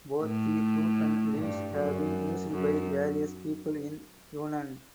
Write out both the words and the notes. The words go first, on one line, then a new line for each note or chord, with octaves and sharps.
Both the fruit and leaves have been used by various peoples in Yunnan.
A2
G2
F#2
F#2